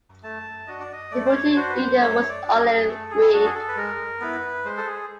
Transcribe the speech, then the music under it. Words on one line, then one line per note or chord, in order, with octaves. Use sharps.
Deputy leader was Ole Wiig.
A3 A5
D4 F#4 D#5
D5
D#5
A3 D5
C5
C#5
C#5
D4 F#4 C5
B4
C5
A3 C#5
D5
D4 F#4
G#4
A4
G#4
A3 A4
G#4
D4 F#4 A4
G#4
A4
B4
G#3 A#4
B3 E4 B4
G#3 C5
A4
G#4